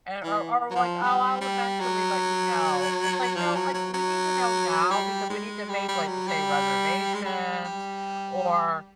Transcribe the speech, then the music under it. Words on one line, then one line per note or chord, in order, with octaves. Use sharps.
and or or, like, "Oh, I'll eventually let you know." It's, like, "No, like, we need to know now because we need to make," like, say, "reservations," or,
E3
F#3
F3
G3
G3
F#3
F3
F#3
F#3
F#3
G3
G#3
G3
G3
F#3
G3
G#3
G3
G3